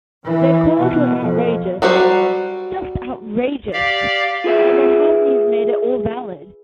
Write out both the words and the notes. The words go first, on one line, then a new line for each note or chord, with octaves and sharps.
Their chords were outrageous, just outrageous, and their harmonies made it all valid.
E3
B2
F2
F#3 G3 F#4 C5
G4 D5 F5
F4 G#4 B4 E5